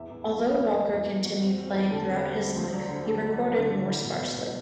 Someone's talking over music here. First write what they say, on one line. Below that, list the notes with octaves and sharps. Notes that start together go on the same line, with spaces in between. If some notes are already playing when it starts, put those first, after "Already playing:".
Although Walker continued playing throughout his life, he recorded more sparsely.
Already playing: E2 E5
E2
E2
F#4
F#3
E2 E4
F#3
E2
E2
E2 F#4
C4
C4
E2
D3 A4
C4
G3 C5
C4
D2 C5
F#3 D5
D3 C5
D2 A4
D2
F#3
D3
D2
E4
B2
B2
B2